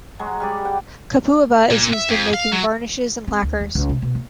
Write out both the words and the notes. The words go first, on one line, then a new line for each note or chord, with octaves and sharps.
Copaiba is used in making varnishes and lacquers.
F#3 G#3 F#4
G3 G#4 D5
F#5 G5
A#2
E5
F2
F5
F#3
C4
D2
D#2
C#2
C3
B2
A#3